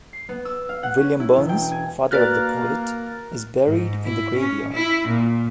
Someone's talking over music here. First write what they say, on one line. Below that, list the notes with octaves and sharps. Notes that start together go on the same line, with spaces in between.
William Burnes, father of the poet, is buried in the graveyard.
C7
B3
E6
F5
F#5
C#4
E4
E1
G5
G#5
A#3 F#4 A#4 B4 D5 F6 F#6 A6
G#2
E4
C#4
E4
A#2